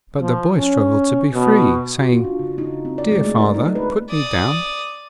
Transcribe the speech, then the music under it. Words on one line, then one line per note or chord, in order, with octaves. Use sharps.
But the boy struggled to be free, saying 'Dear father, put me down.
F3
C#4
B2
F#4
F4
D4
C#3
D#4
C4
D5
G#3
A3
A#4
D#4
B4
D5 D#6